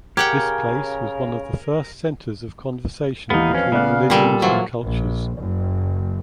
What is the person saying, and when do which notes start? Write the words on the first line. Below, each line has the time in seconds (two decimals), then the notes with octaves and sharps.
This place was one of the first centers of conversation between religions and cultures.
0.17 C#3 G4 A#4 F#5 G5 G#6
3.30 D#2 E3 B3 D#4 F5
3.53 F2 C#4 B4 C5
3.72 C#3 B3 D5 F#6
4.10 A#2 G3 A4
4.42 E3 F#3 F4 C5 F5
4.83 A#1
5.37 F#1